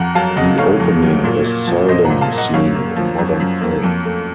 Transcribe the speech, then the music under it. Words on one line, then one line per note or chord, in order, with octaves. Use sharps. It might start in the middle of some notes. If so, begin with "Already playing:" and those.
The opening is seldom seen in modern play.
Already playing: F2 F#5 A#5
F#3 F5 A5
C#3 D#5 F#5
A3 C#5 F5
F2
F#3
A#2
A#3
F3
A#2 C5 D#5
F#5 A#5
A#2
F5 A5
A#3
D#5 F#5
F#2 C#5 F5
A#3
F3
F#2
F#2
A#3
F2
A3